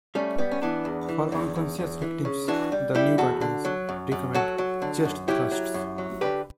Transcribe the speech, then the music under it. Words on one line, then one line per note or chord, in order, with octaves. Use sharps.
For unconscious victims, the new guidelines recommend chest thrusts.
G3 A3 C#4
G3 B3
C#4
E3 B3 D4
E2
E3
E2
E2
E2
E3
C#3
E3 D4 F#4
G3
G3 E4 G4
E2 F#4 A4
D3
F#3
F#2
F#2
F#3 F#4 A4
F#3
D3
F#2
F#3 E4 G4
F#3
F#2
F#3
D3 G4 B4